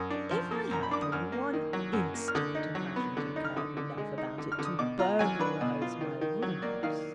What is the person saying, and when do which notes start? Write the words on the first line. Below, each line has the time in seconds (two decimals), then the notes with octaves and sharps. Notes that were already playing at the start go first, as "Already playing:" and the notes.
If I had for one instant imagined you cared enough about it to burglarize my rooms ...
Already playing: F#2 D#6
0.10 D4
0.31 F3
0.51 A#3
0.71 F#2 A#5
0.83 B5
0.91 D4 D6
1.02 D#6
1.12 F#2 F6
1.32 A#3
1.53 D#3
1.73 F#3
1.93 F#2
2.14 A#3
2.28 F6
2.35 D3 D#6
2.55 D#4
2.75 F#3
2.96 B3
3.17 D3
3.36 D#4
3.45 F6
3.56 D3 D#6
3.77 D3
3.98 G#3
4.18 D#4
4.38 D3
4.52 F6
4.59 D3
4.65 D#6
4.79 B2 D6
4.99 F4 A#5
5.19 F#3 G#5
5.40 D4 B4
5.61 B2
5.82 F4
6.01 D#3
6.21 D#3
6.42 F#3
6.62 A#3 D5
6.83 D#3 F5